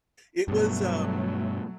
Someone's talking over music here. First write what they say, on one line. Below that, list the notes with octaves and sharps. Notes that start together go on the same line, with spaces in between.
It was, um
G2 B2 F#3 A3